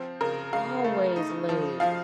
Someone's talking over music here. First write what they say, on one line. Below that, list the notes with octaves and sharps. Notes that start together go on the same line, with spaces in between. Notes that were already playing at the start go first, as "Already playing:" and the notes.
Always late.
Already playing: F3 C4
C#3 A#4
C#3 F5
A3
D#4
F3
F3 F5